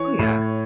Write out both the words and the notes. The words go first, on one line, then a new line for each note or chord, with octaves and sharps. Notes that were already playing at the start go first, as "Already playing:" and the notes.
Oh yeah.
Already playing: E3 C#5
A2